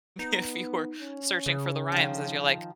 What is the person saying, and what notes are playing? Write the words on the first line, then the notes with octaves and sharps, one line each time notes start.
if you were searching for the rhymes as you're like,
B3 D#4
C#4
C#3
D#3 F3